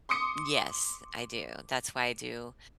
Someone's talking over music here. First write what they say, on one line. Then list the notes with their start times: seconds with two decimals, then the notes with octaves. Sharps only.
Yes. I do. That's why I do,
0.09 C6 D6 D#6 C#7